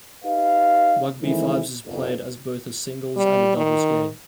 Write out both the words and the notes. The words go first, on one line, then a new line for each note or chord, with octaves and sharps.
Rugby Fives is played as both a singles and a doubles game.
D#4 G4 B4 D#5 F5
D#3 E3 G#3 A3 C4 E4
F#1 B1 F2
G3
D#3